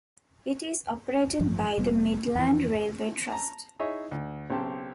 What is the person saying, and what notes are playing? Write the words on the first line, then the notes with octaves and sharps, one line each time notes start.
It is operated by the Midland Railway Trust.
A1 G2 F3
F1 G3 B3
F2 E3
A5 A#5
D#4 E4 G#4 C#5 D#5 E5
D2
B1 C#3 C4 G4 A5